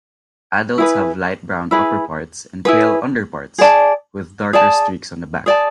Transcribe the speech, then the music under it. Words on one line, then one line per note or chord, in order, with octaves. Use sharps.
Adults have light brown upperparts and pale underparts, with darker streaks on the back.
E4 G#4 B4
E4 G#4 B4
E4 G#4 B4
G#4 D5 A5
G#4 D5 A5
G#4 D5 A5